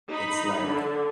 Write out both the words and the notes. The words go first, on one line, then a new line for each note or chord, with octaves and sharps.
it's like,
D#4 B5
D3